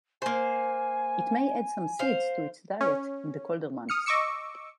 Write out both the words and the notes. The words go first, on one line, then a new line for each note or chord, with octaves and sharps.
It may add some seeds to its diet in the colder months.
A#3 C5 G#5
C5 F5
C#4
D#6 F6 C#7
D#5 C#6 D6 E6 C#7